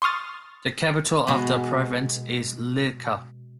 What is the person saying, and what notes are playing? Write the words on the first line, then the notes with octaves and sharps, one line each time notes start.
The capital of the province is Llica.
C6 C#6 D#6 F6 A6
B2 G#3 B3